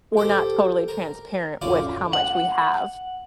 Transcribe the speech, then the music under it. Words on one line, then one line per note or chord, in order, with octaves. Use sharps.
we're not totally transparent with how much we have.
G4 A4 C5
A#4
F#2 D3 C#4 F4 D5
F#5